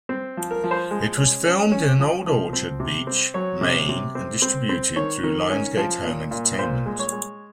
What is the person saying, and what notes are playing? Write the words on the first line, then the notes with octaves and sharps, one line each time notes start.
It was filmed in Old Orchard Beach, Maine and distributed through Lionsgate Home Entertainment.
C4
F3
A#4
F3
C5
G#3
C#4
C#4
C#4
F3
F3
C4
C3
C4
F#3 C#5
C3
C3
C4
C4
C4
D#3 C#5
D#3
C#4
F3
A#2
A#2
A#2 C5
G#3
C#5
G#3